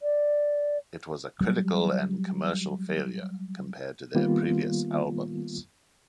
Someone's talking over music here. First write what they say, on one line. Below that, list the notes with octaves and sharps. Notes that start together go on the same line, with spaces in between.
It was a critical and commercial failure compared to their previous albums.
D5
F#3 G3
D#3 G3 A#3 B3 F4